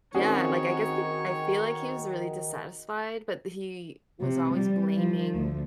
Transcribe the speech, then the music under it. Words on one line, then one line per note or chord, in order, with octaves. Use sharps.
yeah, like I guess think? I feel like he was really dissatisfied, but he was always blaming
D#3 C4 C#4 F#4 G#4 C#5
C3
G3
F3
D2